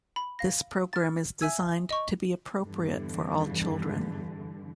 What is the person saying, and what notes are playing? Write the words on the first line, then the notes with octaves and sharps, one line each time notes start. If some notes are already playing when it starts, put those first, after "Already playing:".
This program is designed to be appropriate for all children.
B5
F5 A#6
F6 A6
E5 G#5 E6 G#6
D#5 C#6
E2 G2 D3 E3